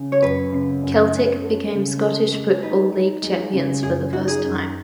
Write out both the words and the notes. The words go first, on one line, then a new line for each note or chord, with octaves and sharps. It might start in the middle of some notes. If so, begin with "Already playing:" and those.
Celtic became Scottish Football League champions for the first time.
Already playing: C#3
C#5
F#2 B4
C#3
F#2
C#4
A4
C#3
A4
G#3
D#4 B4
D#4
G#3
C#3
F#2 G#4
D#4 F#4
G#4
F#2